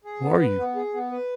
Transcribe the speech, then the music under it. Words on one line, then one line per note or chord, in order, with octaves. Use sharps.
"Who are you?"
G#4
B3
B4
B3
G#4
B3
B4